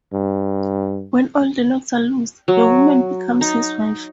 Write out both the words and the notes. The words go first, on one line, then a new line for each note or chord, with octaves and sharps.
When all the knots are loosed, the woman becomes his wife.
G2
F#3
D#4